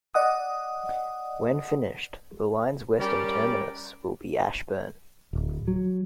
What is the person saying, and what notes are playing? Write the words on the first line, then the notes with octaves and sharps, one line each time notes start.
When finished, the line's western terminus will be Ashburn.
D5 D#5 F#5 D#6
G3 C#4 G4 A#4 D5
D1
F#3